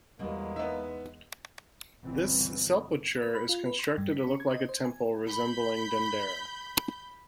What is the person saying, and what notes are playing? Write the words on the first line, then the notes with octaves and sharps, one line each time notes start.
This sepulchre is constructed to look like a temple, resembling Dendera.
E2 B2 G3 G#3 A#3
B3 D#4 E5
G1 C#2 B2 D3 E3 C4
B4
B5
F4
B4
C6
G2
B6
C#4
G#6
D#5
C5
G#5
B5 G6